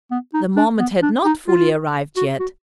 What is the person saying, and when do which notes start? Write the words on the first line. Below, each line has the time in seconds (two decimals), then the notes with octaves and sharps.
The moment had not fully arrived yet.
0.11 B3
0.34 D#4
0.56 D4
0.79 B3
1.02 D4
1.25 D#4
1.48 F4
2.17 F#4
2.40 F#4